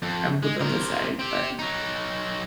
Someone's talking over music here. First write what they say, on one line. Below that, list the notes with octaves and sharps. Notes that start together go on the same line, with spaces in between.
have a book on the side." But
F2
G#3
C3 A#4
C4 G4
F#3 D#4